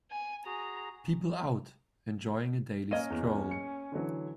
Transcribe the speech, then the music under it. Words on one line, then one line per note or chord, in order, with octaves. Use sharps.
People out enjoying a daily stroll.
G#5
F#4 G#4 A#5
A#3 C#4 D#5 F6 G#6 D#7
E2
C#7
D3 E3 F#3